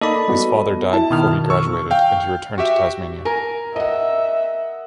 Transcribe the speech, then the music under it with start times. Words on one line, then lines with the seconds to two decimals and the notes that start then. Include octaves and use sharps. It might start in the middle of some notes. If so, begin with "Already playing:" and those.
His father died before he graduated and he returned to Tasmania.
0.01 A#3 D#4 A4 D5 D#5 B5
0.28 G3 B3 F#4
0.93 E4 A5
1.10 B2 D#3 F6
1.50 C#6 E6
1.91 F5 G5
2.58 F#4 G4 E5
3.25 A#4 G#5
3.76 D#5 E5 F#5